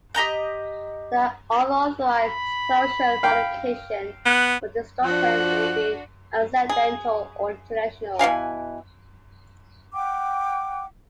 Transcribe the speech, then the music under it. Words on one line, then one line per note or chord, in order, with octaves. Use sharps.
The unauthorized disclosure, modification, or destruction may be accidental or intentional.
G4 D#5 A#5 G6
B5
F5 G5
B3 F#6
F3 D4 F#4 F#6
G#4
B2 E3 F5 G#5
F#5 G5 D6